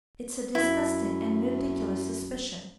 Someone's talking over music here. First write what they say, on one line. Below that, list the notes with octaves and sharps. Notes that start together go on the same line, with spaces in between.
It's a disgusting and ridiculous suspicion.
F#2 E4